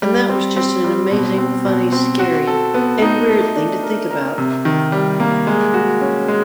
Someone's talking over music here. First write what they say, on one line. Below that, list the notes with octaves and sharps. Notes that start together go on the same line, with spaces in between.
And that was just an amazing, funny, scary and weird thing to think about.
G3
C4
C4
G3
B2
C4
B2
C4
F#4
A4
B3
D#4
A3
D4
A#4
A#4
C3
D#3
G3
A#3
G#3
F#4
C#4
G#3